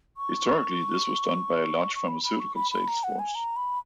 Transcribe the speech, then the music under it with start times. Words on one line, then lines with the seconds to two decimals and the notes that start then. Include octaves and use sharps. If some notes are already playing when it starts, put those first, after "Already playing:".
Historically, this was done by a large pharmaceutical sales force.
0.17 C#6
1.95 C#6
2.08 B5
2.24 B5
2.40 C#6
2.55 B5
2.71 B5
2.88 A#5
3.04 F#5
3.19 G#5
3.35 A#5
3.56 B5